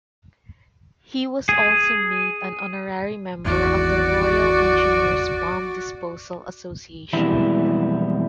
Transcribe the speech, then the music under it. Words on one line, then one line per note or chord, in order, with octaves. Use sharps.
He was also made an Honorary Member of the Royal Engineers Bomb Disposal Association.
G#4
G#1 E2 F#4 D5
F2 B2 E3 G3 G#3 E4